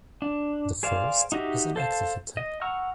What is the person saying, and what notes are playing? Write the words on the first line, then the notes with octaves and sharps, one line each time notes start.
The first is an active attack.
D4
G#4 C5 D5 F5
D#4 F#4 G4 D#5 E5
A4 C5 F5 A5
D#5
F#5 A#5 C#6 E6 F6